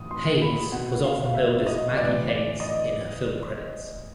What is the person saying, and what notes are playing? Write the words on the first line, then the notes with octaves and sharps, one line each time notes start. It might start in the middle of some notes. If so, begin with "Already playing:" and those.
Hayes was often billed as Maggie Hayes in her film credits.
Already playing: A2 E3 D#6
C6
B5
B2 F#5
F5
F5
E5
D#5
A2 E3 D5
D5
D#5